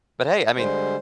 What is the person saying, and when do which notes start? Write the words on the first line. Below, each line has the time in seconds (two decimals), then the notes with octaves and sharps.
but, hey, I mean,
0.57 D3 G3 G#3 C5